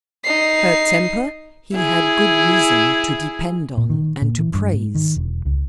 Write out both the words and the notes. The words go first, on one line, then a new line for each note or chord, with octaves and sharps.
Her temper he had good reason to depend on and to praise.
D#4 C7
E4 G#4
A#2
D#3
A#2
E3
G2
G#2
D#3
E1
C#2